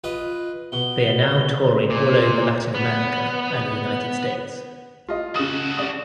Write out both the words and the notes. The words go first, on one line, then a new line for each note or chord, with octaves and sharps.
They are now touring all over Latin America and the United States.
F4 B4 D#5
B2 G7
A#2
B3
F4 D#5
C#3 F#4 A4 D#6
C#3 D5 D#6